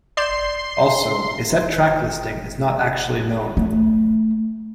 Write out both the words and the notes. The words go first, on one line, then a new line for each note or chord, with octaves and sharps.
Also, a set track listing is not actually known.
D5 C6 G6 E7
A3